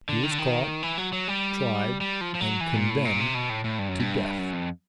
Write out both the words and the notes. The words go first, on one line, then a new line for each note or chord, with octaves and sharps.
He was caught, tried, and condemned to death.
D3
D#3
D3
D#3
E3
F#3
F#3
G3
G3
F3
F3
F#3
E3
A#2
A2
A#2
C3
B2
A2
A2
G2
F#2
G2
F#2
F2